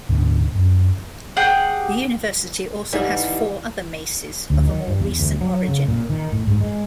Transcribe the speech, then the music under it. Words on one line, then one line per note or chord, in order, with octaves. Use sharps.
The university also has four other maces of a more recent origin.
D2 G#2 B2 D3
F#2
G4 G#4 F#5
G#2 E3 G3
D2
D#3
G2
E2
D2
F#3
C#3
A#2
D#3
A2
G#2
G#3